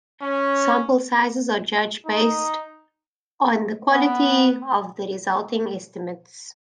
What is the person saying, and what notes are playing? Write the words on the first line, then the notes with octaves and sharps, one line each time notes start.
Sample sizes are judged based on the quality of the resulting estimates.
C#4
D#4
B3